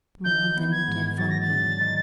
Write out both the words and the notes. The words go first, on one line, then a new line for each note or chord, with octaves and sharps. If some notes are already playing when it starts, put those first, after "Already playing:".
"More than you did for me?"
D#3 G6
B3
G#6
G#2
F#3 A6
A#6
A6
D4
D#3